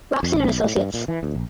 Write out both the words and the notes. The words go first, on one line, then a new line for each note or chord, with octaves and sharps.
Locsin and Associates.
F2
A1
B1
A2
G2
A#2
E3
D2
A#1